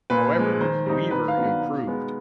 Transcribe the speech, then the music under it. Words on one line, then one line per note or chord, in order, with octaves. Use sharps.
However, Weaver improved.
A#2 B4
F3 G#3
D#3 C5
G3 C4 D#4
D#3 B4
F5
F#3 B3 D4
F5
B2
G#3 B3